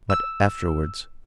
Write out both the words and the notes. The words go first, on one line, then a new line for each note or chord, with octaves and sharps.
But afterwards.
E6